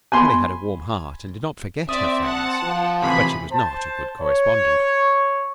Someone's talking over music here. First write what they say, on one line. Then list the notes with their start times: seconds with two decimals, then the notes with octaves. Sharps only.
Polly had a warm heart and did not forget her friends, but she was not a good correspondent.
0.12 G#5 B5 C6
1.89 C4 D5 E5 D#6
2.23 F#5 A5
2.63 F3
3.02 A2 C3 E3 G#4 B5
3.52 C5 A5
4.19 C#5